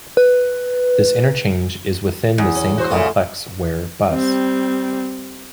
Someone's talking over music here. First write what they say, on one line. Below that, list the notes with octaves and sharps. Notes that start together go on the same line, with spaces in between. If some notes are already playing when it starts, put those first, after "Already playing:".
This interchange is within the same complex where Bus.
B4
E2
C#4
F#4 C5
F#2 A#2 C#3 A3 G#4
G3 C4